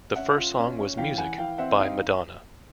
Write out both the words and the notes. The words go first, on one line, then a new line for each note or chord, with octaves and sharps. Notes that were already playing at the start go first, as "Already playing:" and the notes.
The first song was "Music" by Madonna.
C#4 E5 F#5
F4
C#4
C#4
E3 F5 G5
E3 F#5 G#5
E3 F5 G5
C4 E5 F#5
D#4 D#5 F5